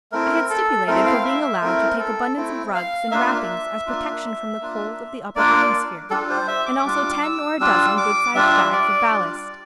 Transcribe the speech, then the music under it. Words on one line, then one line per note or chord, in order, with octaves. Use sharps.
I had stipulated for being allowed to take abundance of rugs and wrappings as protection from the cold of the upper atmosphere, and also ten or a dozen good-sized bags of ballast.
A3 C4 E4 A#4
A4
A3 C4 E4 A#4
F5
E5
E5
A3 C4 E4 A#4
A4
A3 C4 E4
F5
A#3 D4 F4 E5
A#3 D4 F4
A#3 D4 F4
A#3 D4 F4 D5
G3 D4 F4 A4
C5
E5
D6
G3 D4 F4 D6
E6
G3 D4 F4 E6
D6
G3 D4 F4 E5
D5
G3 D4 F4